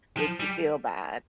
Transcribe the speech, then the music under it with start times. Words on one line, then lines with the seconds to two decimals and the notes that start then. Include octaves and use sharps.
make you feel bad
0.17 F3
0.40 G3